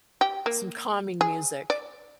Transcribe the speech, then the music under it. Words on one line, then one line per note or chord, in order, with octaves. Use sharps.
some calming music.
G4
A#3
G#4
D5